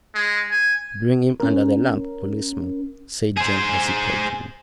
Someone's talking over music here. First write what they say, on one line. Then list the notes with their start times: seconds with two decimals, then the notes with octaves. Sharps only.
"Bring him under the lamp, policeman," said Jane, hesitating.
0.15 G#3
0.51 G#5
1.40 C#4 A#4
3.38 G#4 C5 G#5